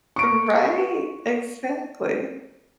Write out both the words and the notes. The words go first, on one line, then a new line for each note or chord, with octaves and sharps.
Right. Exactly,
C#6 D7